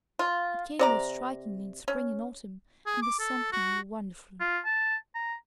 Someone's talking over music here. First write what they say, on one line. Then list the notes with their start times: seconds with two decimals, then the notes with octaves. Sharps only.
It came most strikingly in spring and autumn, and was something wonderful.
0.19 F4
0.79 C3 D5 A#5
1.88 C#4
2.86 G#4
3.02 D6
3.20 A4
3.52 F#4
4.40 F4
4.65 A5
5.15 A#5